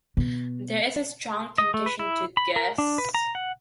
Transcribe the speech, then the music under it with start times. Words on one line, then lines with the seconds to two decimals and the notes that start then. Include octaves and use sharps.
There is a strong temptation to "guess".
0.17 B2
1.58 D#5
1.74 A3
1.86 B4
1.99 E4
2.37 B5
2.56 A#4
2.78 D4
2.98 B4
3.15 A#5
3.35 F#5